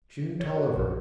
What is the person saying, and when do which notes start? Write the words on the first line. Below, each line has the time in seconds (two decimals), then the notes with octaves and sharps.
"June Tolliver."
0.40 C#5
0.57 F#4
0.76 A#1